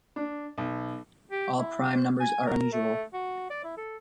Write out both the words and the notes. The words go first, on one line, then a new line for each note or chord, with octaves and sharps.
All prime numbers are unusual.
D4
B1
G4
E4
C5
G#5
A#4
A3
F#4
D5
E4
A4